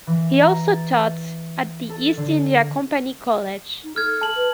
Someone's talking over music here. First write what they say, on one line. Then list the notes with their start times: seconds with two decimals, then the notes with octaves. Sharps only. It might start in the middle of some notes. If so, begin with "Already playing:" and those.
He also taught at the East India Company College.
0.07 E3
0.41 A#5
0.72 A6
1.90 A4
2.17 D3
3.84 D#4
3.96 A4 F6 G#6
4.21 A5 F#7
4.36 B4